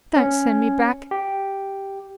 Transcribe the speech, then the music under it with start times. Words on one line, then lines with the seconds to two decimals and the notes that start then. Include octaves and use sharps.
Don't send me back!
0.16 C#4
1.11 G4